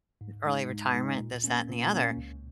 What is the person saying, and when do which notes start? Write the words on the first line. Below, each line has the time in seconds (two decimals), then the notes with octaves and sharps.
early retirement, this, that, and the other,
0.21 G#2
0.46 G#3 D#4
0.70 G#2
0.94 G#3 D#4
1.20 A#2
1.44 A#3 C#4
1.69 A#2
1.93 A#3 C#4
2.17 C#2